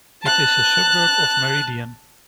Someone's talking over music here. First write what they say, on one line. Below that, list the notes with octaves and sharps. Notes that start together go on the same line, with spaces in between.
It is a suburb of Meridian.
A5 F#6